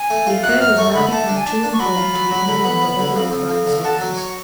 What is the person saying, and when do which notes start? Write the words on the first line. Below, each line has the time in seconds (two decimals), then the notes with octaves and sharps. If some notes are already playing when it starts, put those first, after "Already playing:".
The affair was now become too important to be any longer overlooked by the sovereigns.
Already playing: G#5
0.10 A3
0.26 F4
0.43 F#2 F#6
0.60 F#2 F6
0.77 A3 C#6
0.94 D3 B5
1.12 A3 A5
1.28 D4
1.37 G#5
1.45 D4 A5
1.63 D4
1.73 C#6
1.79 F#3 B5
1.96 F4
2.13 F#3
2.31 F#3
2.47 D3
2.64 B3
2.82 B3
2.99 D3
3.16 F2
3.32 F2
3.50 F2
3.67 D3
3.84 F#4 A5
4.00 F#3
4.17 C#5